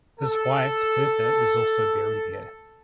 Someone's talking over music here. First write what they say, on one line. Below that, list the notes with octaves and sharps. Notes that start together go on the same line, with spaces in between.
His wife Hertha is also buried here.
A4